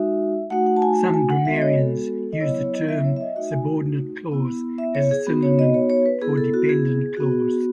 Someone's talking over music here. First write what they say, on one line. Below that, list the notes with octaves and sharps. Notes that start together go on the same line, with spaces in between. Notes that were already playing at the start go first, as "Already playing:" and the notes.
Some grammarians use the term subordinate clause as a synonym for dependent clause.
Already playing: G#3 D#4 F#4 E5
A3 D#4 F#4 F#5
F#5
A5
G#5
A5
G#5
F#5
G#3 B3 F#4 E5
D#5
C#5
A4
D#5
F#3 B3 E4 C#5
C#5
D#5
E5
C#5
E5
D#5
A3 D#4 F#4 E5
G#5
B3 E4
E5
C#5
G#4
B3 D#4 F#4
C#5
D#5
C#5
C#5
B4
B3 E4 G#4
A4
F#4
G#4
B3 F#4